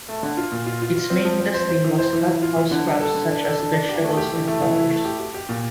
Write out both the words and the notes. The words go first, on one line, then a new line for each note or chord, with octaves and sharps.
Its main industry was hothouse crops such as vegetables and flowers.
A3
D3
F4
A#2
F4
F4
F4
C4
F3
C4
C5
C5
E3
C5
E3
E3
F4
E3
D3
G3
A4
D3
D4
A4
D4
D4
G4
A3
G4
E3
A3
E3
E4
A3
G4
G4
G4
A#2